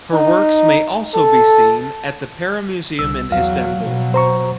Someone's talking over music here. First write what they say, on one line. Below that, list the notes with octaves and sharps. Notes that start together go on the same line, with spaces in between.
Her works may also be seen at the Pera Museum in Istanbul.
D#4
A4
C2 E6
E2 F#3 F5
B2 F#3
C5 A#5 C#6